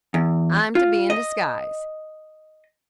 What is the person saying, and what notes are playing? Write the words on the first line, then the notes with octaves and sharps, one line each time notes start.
I'm to be in disguise.
E2
F4
D#5